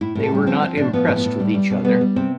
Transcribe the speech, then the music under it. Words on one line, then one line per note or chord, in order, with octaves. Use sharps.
They were not impressed with each other.
A2 E4
A2
A4
G3 G4
F3 C4
F3 C4
A2 D4
F3 B3
A2
B3
A2
G3
G3
B2
G3 B3
G3
C3 C4